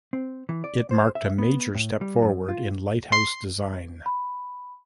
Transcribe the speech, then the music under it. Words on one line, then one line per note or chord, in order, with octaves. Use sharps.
It marked a major step forward in lighthouse design.
C4
E3
D5
C5
E5
B3
A2
G3
F#2
F4
C6 C7
B5